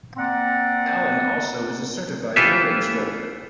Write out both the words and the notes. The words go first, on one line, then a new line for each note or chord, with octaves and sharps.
Allen also is a certified yoga instructor.
A#3 C4 D5 F#5 A#5
E3 F4 G4 A4 B4 E5